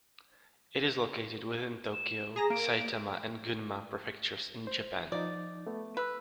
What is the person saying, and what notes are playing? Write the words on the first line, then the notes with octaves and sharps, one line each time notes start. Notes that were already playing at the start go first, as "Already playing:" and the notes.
It is located within Tokyo, Saitama, and Gunma Prefectures in Japan.
E7
G#4 A#5 D#6 A#6
A#3 D7
C5
F3 D#4 D5
A3 B3
B4 B5 E6